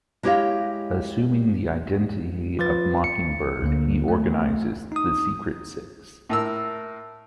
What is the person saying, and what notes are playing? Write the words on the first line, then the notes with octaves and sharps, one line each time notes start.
Assuming the identity Mockingbird, he organizes the Secret Six.
G#3 E4 G4 C#5 D#5 F5
F3 F4 B4 A6
C#7
D2 D3 A#3
A3
D#4 D#6
A2 A#4 E6